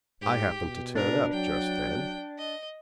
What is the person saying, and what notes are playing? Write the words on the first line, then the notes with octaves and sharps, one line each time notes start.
I happened to turn up just then.
G#2 G4
B2
D4 A#4
F#3 G5
D#5